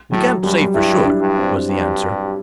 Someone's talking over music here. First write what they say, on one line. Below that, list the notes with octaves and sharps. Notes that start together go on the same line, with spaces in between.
"We can't say for sure," was the answer.
A2 F#3
F#2 G3
G2 E4
D4
G2
C4
G2